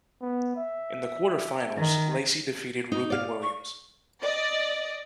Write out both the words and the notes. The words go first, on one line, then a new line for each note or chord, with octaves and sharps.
In the quarter-finals, Lacy defeated Rubin Williams.
B3
E5
D#3
D#4
D5 F5
C#6
D5 D#5